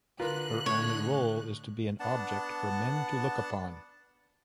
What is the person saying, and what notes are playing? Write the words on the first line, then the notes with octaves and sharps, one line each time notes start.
Her only role is to be an object for men to look upon.
D3 F4 A#4 B4 F#6
A2 C#5
B3 D4 F#5 A5